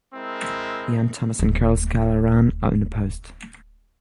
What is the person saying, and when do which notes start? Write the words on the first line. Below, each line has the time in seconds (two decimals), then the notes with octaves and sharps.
Ian Thomas and Karl Skala ran unopposed.
0.14 G#3 C4 E4 A#4
1.39 D1 A3